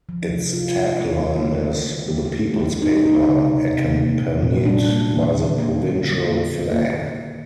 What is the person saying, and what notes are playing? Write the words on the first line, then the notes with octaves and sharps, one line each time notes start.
Its tagline is "The People's Paper", accompanied by the provincial flag.
F3
C3
C3 F4
C3
C3
G3
D#3
D#3
G3
G4
D#3
G4
G3
A4
A#3 G4
C3 D#4
A#3 D#4
C3
C3
C3
A#3
A#2
A#2
G3 D4
A#3
A#3
D3
A#3
G3
D3
A#3
D3
D#3 A#3
D#3
D#3